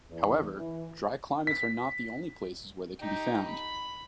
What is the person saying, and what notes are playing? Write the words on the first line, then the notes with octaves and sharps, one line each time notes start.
However, dry climates are not the only places where they can be found.
E2
E3
B6
D#4 G4
B5